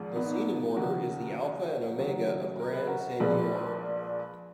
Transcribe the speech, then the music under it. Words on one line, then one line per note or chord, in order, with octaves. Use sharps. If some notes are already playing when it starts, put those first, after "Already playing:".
The seating order is the Alpha and Omega of Grand Seigneur.
Already playing: G#1 G#2 F3 G#3
B3 D#4
D#2 C#3 F3 F#4 A#4
D#2 C#3 F#3
A#4
B4
F#4 A#4
A#1 A#2 F3 G#3 G#4 B4